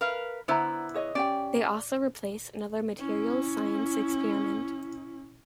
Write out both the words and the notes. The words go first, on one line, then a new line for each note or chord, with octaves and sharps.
They also replaced another materials science experiment.
A#4 B4 F5
D3 B3 E4 C5 A#5
G#4 C#5 D#5
C#4 G4 D5 G5
C#4 E4